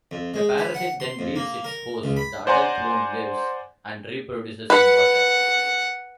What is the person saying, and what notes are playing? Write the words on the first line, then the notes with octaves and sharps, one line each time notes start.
The parasite then leaves its host; the adult worm lives and reproduces in water.
F2
G#3
B4
F#5
C6
F2
A#3
A#4
C#2
B5
C5 D5 F#5 G#5 A#5
B4 F#5